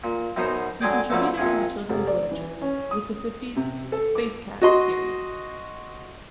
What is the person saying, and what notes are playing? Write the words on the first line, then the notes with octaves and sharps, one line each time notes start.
He contributed to children's literature, with the fifties "Space Cat" series.
A#2
F#2 B2 D#4 C5 A#5
D3 F#3 G#3 G#4 D5 G5
B2 D3 F3 F#3 A3
A#1 F2 C3 G#4
F1
D5
E3
C#4
D#6
C3
A4
D6
F#4 D#5 C6